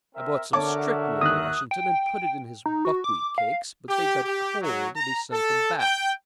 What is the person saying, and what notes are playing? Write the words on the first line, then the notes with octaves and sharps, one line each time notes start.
I bought some strychnine in Washington, and put it in his buckwheat cakes; but they got cold, and he sent them back.
C4 A#4 E5
D3 F#4 A#4 C#5 E5 A5 D6
D#2 D#6 F#6
G5
D#4
F#4
D6
F5
G4
G4
F#3
A#5
A4
G5